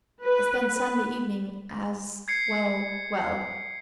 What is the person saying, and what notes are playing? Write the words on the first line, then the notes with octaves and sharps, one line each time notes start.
"I spend Sunday evening as--Well, well."
B4
B4
G#6 C7 C#7